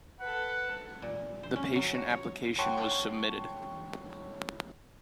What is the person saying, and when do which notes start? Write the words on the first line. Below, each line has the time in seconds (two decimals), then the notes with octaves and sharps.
The patent application was submitted.
0.20 A4 B4 F#5
1.02 A#2
1.43 C5
1.56 C#4
1.76 F#3
1.94 F#4
2.10 C#5
2.58 C#5 F#5 G5 A5 C6 C#6